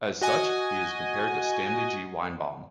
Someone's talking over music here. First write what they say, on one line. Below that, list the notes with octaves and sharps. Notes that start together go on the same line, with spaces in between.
As such, he is compared to Stanley G. Weinbaum.
F#4 D#5 G#5